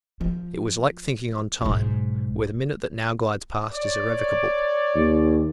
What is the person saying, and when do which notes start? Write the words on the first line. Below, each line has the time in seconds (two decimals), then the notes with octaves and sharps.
It was like thinking on time, where the minute that now glides past is irrevocable.
0.21 F3
1.61 B1 G#2
3.72 C#5 D5
4.95 D#2